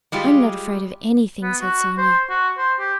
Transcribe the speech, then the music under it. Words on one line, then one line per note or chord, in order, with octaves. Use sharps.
"I'm not afraid of anything," said Sonya.
G3 G#3 F4 G4
B3
F#4
C5
F#4
C5
G4